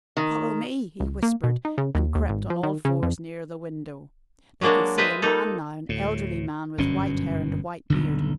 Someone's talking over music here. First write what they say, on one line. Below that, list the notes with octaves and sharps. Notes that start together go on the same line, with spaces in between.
"Follow me!" he whispered and crept on all fours nearer the window. They could see a man now, an elderly man with white hair and a white beard.
D#3
C#2
A#3
B2
D#4
C#3
D#2
D#2
G#1
F3
D#3
C#3
F2
F#3 G#3 A#3 D4 F#4
F4 B4 C5 D#5 E5
A#3 D#4 A4
D2 A2
G1 F#2 B2 C#4
D#1 B1 G2 D3